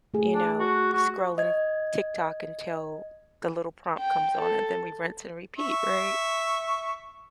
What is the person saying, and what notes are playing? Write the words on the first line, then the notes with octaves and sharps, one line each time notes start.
you know, scrolling TikTok until the little prompt comes on, and then we rinse and repeat, right?
A3 G#4
D4
F#4
F#4
D#5 G#6
G5
A4
E5 C#6